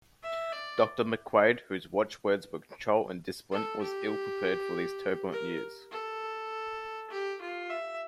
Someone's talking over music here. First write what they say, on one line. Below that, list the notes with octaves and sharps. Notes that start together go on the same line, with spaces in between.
Doctor McQuaid, whose watchwords were control and discipline, was ill-prepared for these turbulent years.
E5
D5
A4
G4
A#4
A4
G4
F4
E5